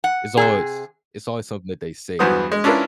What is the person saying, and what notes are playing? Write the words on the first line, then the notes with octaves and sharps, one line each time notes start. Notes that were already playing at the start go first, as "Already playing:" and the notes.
it's always it's always something that they say,
F#5
C3 G#4
E2 G2 F#3 B3 C5 D#6
G#3
C#4 D4 E4 F4 A#4 B4